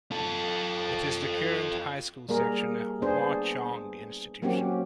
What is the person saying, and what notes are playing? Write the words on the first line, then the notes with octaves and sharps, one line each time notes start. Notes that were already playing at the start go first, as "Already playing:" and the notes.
It is the current high school section in Hwa Chong Institution.
F4 A4
G3 A#3 G#4 A#4
B3 D4 G#4 C5
F#3 A#3 C4 C#4 F#4 G4